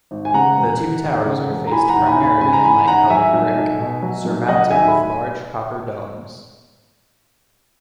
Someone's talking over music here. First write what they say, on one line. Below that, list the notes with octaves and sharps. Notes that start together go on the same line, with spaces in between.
The two towers are faced primarily in light-colored brick, surmounted with large copper domes.
G#1
G#5
C#3 F#5 A#5
E1
E3
D#2
C#3
E1
A#5
E3 G#5 B5
F#5 A#5
D#2
G#5 B5
D#2
G#5 B5
C#3 G#5 B5
A#5
E3 G#5 B5
D#2 F#5 A#5
F#3 E5 G#5
B1
B1
B2
F#3
B1
F#3 D#5 F#5
D#2 E5 G#5
B5